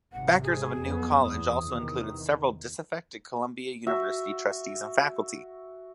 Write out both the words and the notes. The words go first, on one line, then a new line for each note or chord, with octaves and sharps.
Backers of a new college also included several disaffected Columbia University trustees and faculty.
G#1 C3 F#5
G#4
F#1 F2 B3
E2 D#6
E2 C3 D#3
F#4 E5